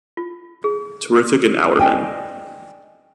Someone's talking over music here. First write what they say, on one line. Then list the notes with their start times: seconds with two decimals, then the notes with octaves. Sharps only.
Terrific and Hourman.
0.17 F4
0.64 G#4
1.79 D5 D#5 G5 G#5